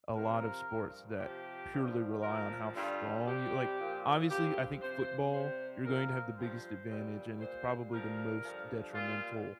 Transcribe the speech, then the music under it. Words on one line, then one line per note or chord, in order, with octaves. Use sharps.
a lot of sports that purely rely on how strong you like, obviously, I think football, you're going to have the biggest advantage, and it's probably the most detrimental
C3 F3 A#4
G2 F3
C3 F3 G4
G2 D3 F3
A#2 F3 A#4
G2 D3 G3 F4
C3 G3 G4
A#2 F3
G2 F3 G4
C3 F3 C5
C3 G3 C5
A#2 F3 A#4
G2 F3 C5
A#2 G3
A#2 G3 C5
G2 D3 F3 A#4
G2 D3 F3
A#2 G3 F4